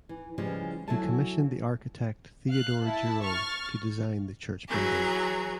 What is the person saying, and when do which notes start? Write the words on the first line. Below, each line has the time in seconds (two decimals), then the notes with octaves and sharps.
He commissioned the architect Theodore Giraud to design the church building.
0.09 E3
0.38 C#3 E3 F3 G3 G#3
0.88 F#3 E4 F#4 A4 G#5 A5
2.49 F5 F#6
2.84 E4 A5
3.22 C#6 F6 A6
4.68 E3 F#3 G#4 A#5